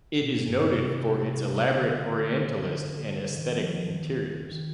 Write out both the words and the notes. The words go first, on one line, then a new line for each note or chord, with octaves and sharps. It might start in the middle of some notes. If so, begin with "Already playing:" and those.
It is noted for its elaborate Orientalist and aesthetic interiors.
B2
G2
C3
D3
D3
D#3
F3
D#3
D#3